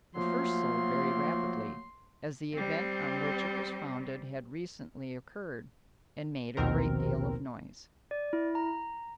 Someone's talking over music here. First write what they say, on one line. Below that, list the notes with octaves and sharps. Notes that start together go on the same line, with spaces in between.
The first sold very rapidly, as the event on which it was founded had recently occurred, and made a great deal of noise.
F3 F#3 A3 A#3 C6
G3 C4
A#1 D#2 B2 D#3 C4 A#4
D5
E4
A#5